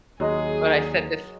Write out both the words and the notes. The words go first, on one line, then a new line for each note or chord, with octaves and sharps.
But I said this
D#2 F#3 G#3 G#4 D#5